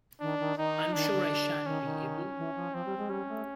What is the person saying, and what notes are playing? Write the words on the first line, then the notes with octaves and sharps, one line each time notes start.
I’m sure I shan’t be able!
D#3 D4
D#3
D#3 D#4
D#3 D4
D3
D3
D#3 C#4
D#3
E3
F3
F3 C4
G3
G#3
G3 C#4
A3